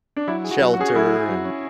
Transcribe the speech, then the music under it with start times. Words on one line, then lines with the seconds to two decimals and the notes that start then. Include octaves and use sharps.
shelter, and,
0.16 D4
0.28 F#3 E4
0.44 G#4
0.51 F#4
0.61 F#3
0.73 F#4
0.79 C#4 G#4
0.88 F#4
0.95 F#3 E4
1.13 G#4
1.29 F#3
1.45 C#4